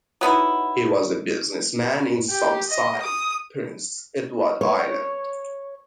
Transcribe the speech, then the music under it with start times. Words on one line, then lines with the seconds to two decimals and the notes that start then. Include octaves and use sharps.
He was a businessman in Summerside, Prince Edward Island.
0.21 F#3 B3 D#4 E4
2.30 G4
2.69 D#5
3.03 D#6
4.61 C#5